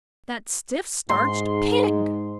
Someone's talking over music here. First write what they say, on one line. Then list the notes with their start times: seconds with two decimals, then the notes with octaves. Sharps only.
'That stiff-starched PIG!'
1.10 G#2 C6